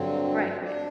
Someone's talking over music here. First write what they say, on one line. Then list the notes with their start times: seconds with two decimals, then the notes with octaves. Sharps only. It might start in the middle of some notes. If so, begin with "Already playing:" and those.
Right, right.
Already playing: G2 D3 F#3 C4
0.64 D4